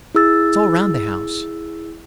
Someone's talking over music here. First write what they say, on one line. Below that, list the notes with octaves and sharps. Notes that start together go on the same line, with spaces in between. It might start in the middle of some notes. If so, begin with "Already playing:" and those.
It's all round the house.
E4 G#4 E6 A6